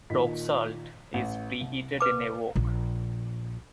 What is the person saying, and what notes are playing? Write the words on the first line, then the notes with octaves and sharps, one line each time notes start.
Rock salt is preheated in a wok.
A#2 D#3 B6
A1
C2
B4 D6
A#1